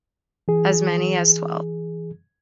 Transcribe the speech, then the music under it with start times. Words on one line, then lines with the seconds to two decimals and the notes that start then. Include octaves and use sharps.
As many as twelve.
0.48 E3 G#4